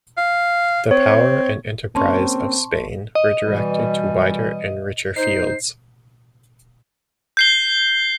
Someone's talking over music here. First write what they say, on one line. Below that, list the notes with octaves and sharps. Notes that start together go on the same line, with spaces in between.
The power and enterprise of Spain were directed to wider and richer fields.
F5
C4 C#5
A#3 C4 C#4 A5 C6 C#6
D#5
B2 E3 G3
D#4 C5 C7
G6 C7 G7